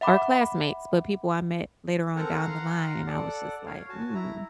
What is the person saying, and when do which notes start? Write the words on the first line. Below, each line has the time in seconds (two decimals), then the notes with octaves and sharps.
our classmates, but people I met later on down the line and I was just like, "mm"
0.01 E5 F#5 B5 D6
2.16 C4 A4 A#4 F#5 G#5 A#5
2.42 F5 F#5 A#5 C6
3.06 A4 D5 F#5
3.66 C#5 F5
3.89 F#4 G#5 A5
4.14 E4 A#5